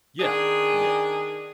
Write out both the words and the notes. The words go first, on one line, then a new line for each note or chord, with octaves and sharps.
Yeah, yeah.
D#3 D4 G#4